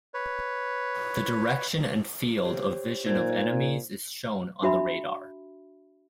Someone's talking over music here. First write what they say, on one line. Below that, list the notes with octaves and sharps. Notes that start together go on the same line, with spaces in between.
The direction and field of vision of enemies is shown on the radar.
B4 C#5
G4 C5 C#5
A#2 D#4 C5 G#6
D4 F#4 E5 B5